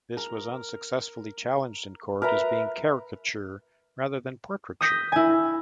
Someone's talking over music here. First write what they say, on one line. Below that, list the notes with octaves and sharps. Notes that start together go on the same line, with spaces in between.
This was unsuccessfully challenged in court as being caricature rather than portraiture.
A#4
A#4 B4 E5 A#5
D#6 G6 A#6 B6
E4 G#5